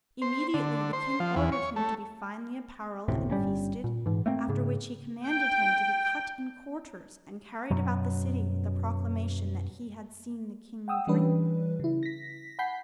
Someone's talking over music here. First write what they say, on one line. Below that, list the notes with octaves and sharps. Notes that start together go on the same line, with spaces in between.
Immediately the king ordered him to be finely apparelled and feasted, after which he commanded him to be cut in quarters, and carried about the city with a proclamation that he had seen the king drink.
C5
D3
C5
F3
E2
C#5
A3
F#1 D2 A2 C3
G1 G3 C#4
A#2
G#2 E3
A3 A#3 C4
G#2 C#3
G5
F#2 B2 F#3
F#5 G5 D#6 E6
E3 G3 C#4 D4 B4
C#3 E4
A#6 B6
F#5 G#5 B5 G6 B6 C7